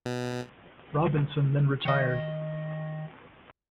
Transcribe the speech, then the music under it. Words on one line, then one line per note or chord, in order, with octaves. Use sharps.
Robinson then retired.
B2
D#3 D#5